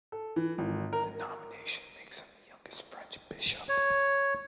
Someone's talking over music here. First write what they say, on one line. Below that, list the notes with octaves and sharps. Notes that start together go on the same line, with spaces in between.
The nomination makes him the youngest French bishop.
A4
E3
G#1
A#4
C#5